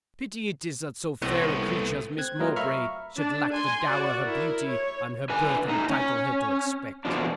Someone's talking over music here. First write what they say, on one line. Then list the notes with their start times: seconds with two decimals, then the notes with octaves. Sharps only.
Pity it is that so fair a creature as Miss Mowbray should lack the dower her beauty and her birth entitle her to expect.
1.22 C2 A2 B3 C4
2.18 C4 F#6 G#6
2.39 F#3 A3 F4 A#4 B4 D#5
2.56 E5 F5 A#5 B5 C#6 F6
3.17 D4
3.53 G#5 C6
3.85 F#4 D5
4.25 E4 A#4
4.69 C#5
5.29 D3 B4 G#5
5.69 A2 D#4
5.90 C#4
7.05 E2 G#2 B2 F3 D4